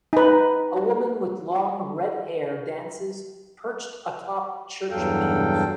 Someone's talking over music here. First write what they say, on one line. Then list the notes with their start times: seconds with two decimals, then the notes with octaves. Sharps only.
A woman with long, redhair dances, perched atop church pews.
0.13 D#4 B4
4.91 E2 G2 F#3 A4 F5 G5